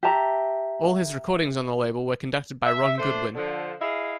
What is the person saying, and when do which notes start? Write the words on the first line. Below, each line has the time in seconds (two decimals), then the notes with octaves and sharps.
All his recordings on the label were conducted by Ron Goodwin.
0.03 G4 E5 A5 A#5
2.64 E5
2.97 A3 D4 C5
3.34 D3 F3
3.79 E4 G#4 D#5 F5